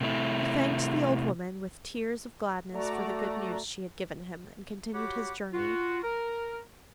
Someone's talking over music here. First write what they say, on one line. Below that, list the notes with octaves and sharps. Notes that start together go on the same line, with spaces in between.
He thanked the old woman with tears of gladness for the good news she had given him, and continued his journey.
C3 A3 E4
A3 F#4 D5 A#5
F#4 G4 C#5 F#5 B5 D6
F4 F#4
A#4